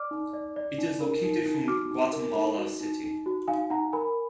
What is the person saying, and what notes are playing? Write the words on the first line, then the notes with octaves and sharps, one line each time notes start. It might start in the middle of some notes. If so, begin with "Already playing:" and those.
It is located from Guatemala City.
Already playing: D5 D6 F6
D#4
D5
D5
D#4
A#4
D#4
D#4
F#4 D6 F6
D#4
A#4
D#4
F#4
D#4
D#4
F#4
D#4 F5 G#5
D#4 F#5 A#5
A#4 G#5 B5